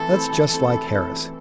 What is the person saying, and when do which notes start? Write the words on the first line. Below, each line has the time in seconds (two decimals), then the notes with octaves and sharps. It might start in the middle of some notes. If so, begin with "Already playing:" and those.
That's just like Harris.
Already playing: E3 A3 C4 A4
0.12 A3 C4 E4
0.32 E3 A4
0.53 A3 C4 E4
0.73 E3
0.92 A3 C4 E4
1.12 E3